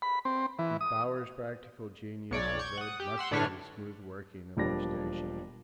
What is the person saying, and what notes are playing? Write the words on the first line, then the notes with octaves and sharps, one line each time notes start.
To Bowers' practical genius is owed much of the smooth working of our station.
B5
C4
E3
D#6
B1 C#5 D5
C#6 G6 G#6
F#5 D#6
G4
F#5 C6 E6
A2 D3 D4 B4 C#5 F6
E1 F3 G3 A#3 D4 A#6